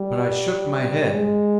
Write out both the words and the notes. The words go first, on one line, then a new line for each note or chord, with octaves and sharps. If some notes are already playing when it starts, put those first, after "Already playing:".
But I shook my head.
Already playing: G3
G#3